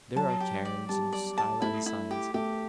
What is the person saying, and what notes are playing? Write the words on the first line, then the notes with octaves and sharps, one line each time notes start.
There are cairns and skyline signs.
F#3 A5
G4
D5
G3 A5
D5
A5
A3 E4
E4
G4
A3 G4